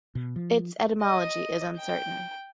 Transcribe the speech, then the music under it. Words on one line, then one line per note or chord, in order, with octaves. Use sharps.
Its etymology is uncertain.
B2
F3
D#5
G5